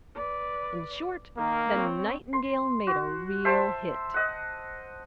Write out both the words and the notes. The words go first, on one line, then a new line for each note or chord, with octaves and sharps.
In short, the Nightingale made a real hit.
B4 D5
D#3 A#3 A#4
C4 C#5
C6
F#4
C5 E5 G5 A5
D#5 F#5